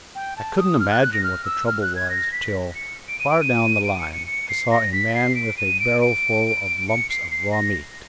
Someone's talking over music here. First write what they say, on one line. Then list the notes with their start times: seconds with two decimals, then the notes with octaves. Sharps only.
I couldn't imagine what the trouble was, till, far down the line, I saw a man with a barrowful of lumps of raw meat.
0.15 G5
0.37 A5
0.59 D#6
0.80 F6
0.91 F#6
1.02 F#6
1.13 A#6
1.24 F6
1.45 E6
1.67 F6
1.82 F#6
1.96 G#6
2.10 A#6
2.32 B6
2.75 C#7
3.08 D7
3.19 D#7
3.30 D7
3.41 D#7
3.84 D7
3.99 C#7
4.13 C#7
4.27 C#7
4.49 C7
4.71 A#6
4.92 B6
5.14 C7
5.35 D7
5.57 D#7
5.80 D7
6.01 D7
6.88 C#7
7.10 C7
7.31 C7
7.52 A#6